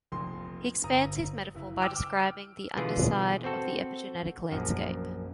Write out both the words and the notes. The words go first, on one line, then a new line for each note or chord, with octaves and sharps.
He expands his metaphor by describing the underside of the epigenetic landscape.
F1 A#1 C6
G1 A#5 D#6
F#1 E4
G5 D6 E6 F6
B2 D3 E3 F4 G#4
C4 F#4 A4
A#1 F#2